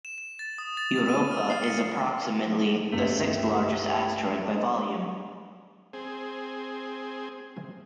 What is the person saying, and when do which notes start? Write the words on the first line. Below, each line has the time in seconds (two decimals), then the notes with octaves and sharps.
Europa is approximately the sixth largest asteroid by volume.
0.05 E7
0.18 E7
0.39 A6
0.58 D#6
0.77 A6
0.96 A6
1.08 D#7
1.31 F6
1.50 C7
1.62 C#7
2.92 G1 C#2 A3 G4 E5
5.93 C4 G#4